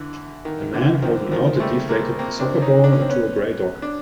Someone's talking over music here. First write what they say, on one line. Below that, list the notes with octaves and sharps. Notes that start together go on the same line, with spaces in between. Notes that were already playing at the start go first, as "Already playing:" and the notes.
A man holding out a deflated soccer ball to a gray dog.
Already playing: D3 E3
D#3
D3 E3
D#3 F3
D#3 F3
G#3
G3 A3
G#3 A#3
A#3 C4
C4 D4
C#4 D#4
D4
C#4
C4
B3 C#4
D4